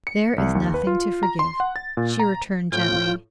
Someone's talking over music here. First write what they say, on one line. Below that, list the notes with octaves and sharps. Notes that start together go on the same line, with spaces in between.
"There is nothing to forgive," she returned gently.
C#7
C2
D#2
B4
F4
A#5
C6
F#5
A6
A#2
A#5
A2 F3 F4 G5